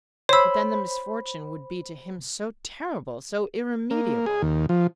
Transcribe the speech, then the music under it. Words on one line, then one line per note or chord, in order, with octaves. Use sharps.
But then the misfortune would be to him so terrible,--so irremediable!
C5 C#5 B5 E6
A#3
G#4
D#2
F3